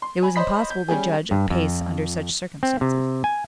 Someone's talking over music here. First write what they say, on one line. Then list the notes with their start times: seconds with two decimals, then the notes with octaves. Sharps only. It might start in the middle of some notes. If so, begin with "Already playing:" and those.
It was impossible to judge of pace under such circumstances.
0.02 C6
0.23 G#5 B5
0.36 C5 C#5 D#5 B5 B6
0.70 G6
0.89 G3 C#4 G4 G#4
1.31 G2
1.50 F2
2.63 C4
2.81 C3
3.24 G#5